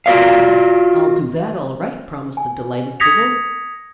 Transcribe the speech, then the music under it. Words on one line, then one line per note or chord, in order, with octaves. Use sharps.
"I'll do that, all right," promised the delighted Tiggle.
F4 F#4 C5 D5 F5
G#5
D#6 G#6 A#6 B6 C#7 F7